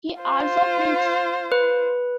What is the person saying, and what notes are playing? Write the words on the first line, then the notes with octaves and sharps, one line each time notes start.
He also preached.
F4 C5
B4